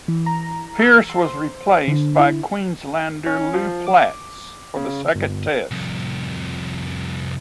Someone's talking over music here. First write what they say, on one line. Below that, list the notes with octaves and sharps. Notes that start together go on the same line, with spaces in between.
Pierce was replaced by Queenslander Lew Platz for the second Test.
E3
A#5
E6
C6
C5
D3
E4
C#4
F3
D6
C#3
G1
C2 F2